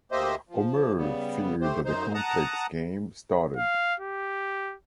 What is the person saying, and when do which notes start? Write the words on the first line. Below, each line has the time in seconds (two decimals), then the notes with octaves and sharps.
Omer feared that the complex game started.
0.12 D2 A#3 G4 C5 D#5 E5
0.49 F3
0.97 C#3 G3 B3
1.61 A3 G4 C5
1.85 F#2 D#4 C5
2.14 F#5 A5 A#5 D#6
3.57 F5
4.00 G4